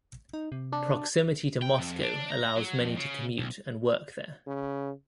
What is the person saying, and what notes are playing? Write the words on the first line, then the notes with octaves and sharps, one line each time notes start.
Proximity to Moscow allows many to commute and work there.
D#4
C3
D4
G5
F2
D4
A#5
F#3
F2
C#3
B1
C#3